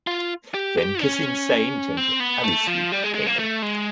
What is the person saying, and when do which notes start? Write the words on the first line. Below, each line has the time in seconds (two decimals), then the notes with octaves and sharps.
Then Kissin Saint and Alysweep came in.
0.07 F4
0.54 G4
0.78 G4
1.02 C#4
1.97 C4
2.20 B3
2.44 A3
2.67 F3
2.92 G3
3.04 G#3
3.15 G#3
3.26 A#3
3.39 A3
3.62 G#3